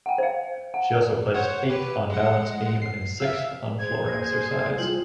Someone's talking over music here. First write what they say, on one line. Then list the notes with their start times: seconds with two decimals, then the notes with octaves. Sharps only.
She also placed eighth on balance beam and sixth on floor exercise.
0.06 F#5 G5
0.18 C5 F5
0.74 F#5
1.34 C5 C#5 F#5
1.69 G4 B4
2.10 G#3 F#5
2.82 C7
3.20 E5 F5 E6
3.79 G#4 C5 G#6
4.05 A#3 A#6
4.78 G3 E4 F4 F#7